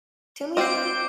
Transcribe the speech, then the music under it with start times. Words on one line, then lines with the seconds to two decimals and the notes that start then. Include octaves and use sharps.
to me
0.57 C4 F4 D#5 D6 G6 C7 D7